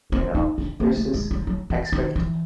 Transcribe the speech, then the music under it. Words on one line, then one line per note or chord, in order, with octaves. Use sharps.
you know, there's this expect
C4
D#4
D4
A#3
A3
G#3
G3
F#3
E3
D#3
E3